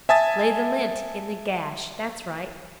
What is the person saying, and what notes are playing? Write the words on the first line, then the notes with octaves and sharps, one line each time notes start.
Lay the lint in the gash. That's right.
E5 G#5 A5 D#6 A6